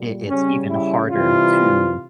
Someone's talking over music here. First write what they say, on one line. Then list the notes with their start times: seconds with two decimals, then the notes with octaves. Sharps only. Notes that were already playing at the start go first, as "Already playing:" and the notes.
it it's even harder to,
Already playing: A#2 G3
0.28 C#3 G3 C#4
0.70 E4
1.10 C3 E3 G3 F4